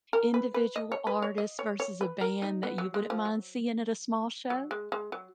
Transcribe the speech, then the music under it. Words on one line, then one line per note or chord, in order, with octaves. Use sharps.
individual artist versus a band that you wouldn't mind seeing at a small show?
A#4
B4
B4
D#5
C#5
B4
C#5
D#5
C#5
C#5
B4
A#4
D#4
B3
F#3
G#3
F3
F#3
F#3
G#3
G#3
F#3